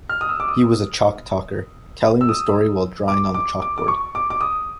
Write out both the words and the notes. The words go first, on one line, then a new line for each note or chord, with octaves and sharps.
He was a 'chalk talker', telling the story while drawing on the chalk board.
F6
D#6
E6
D6
D#6
E6
D#6
D6
D6
D6
D6
C#6
D6
D6
D#6